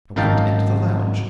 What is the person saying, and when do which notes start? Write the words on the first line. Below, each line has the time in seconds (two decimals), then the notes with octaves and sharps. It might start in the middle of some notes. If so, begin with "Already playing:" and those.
I went into the lounge.
0.16 G#1 F#2 D#4 F5 G5 A5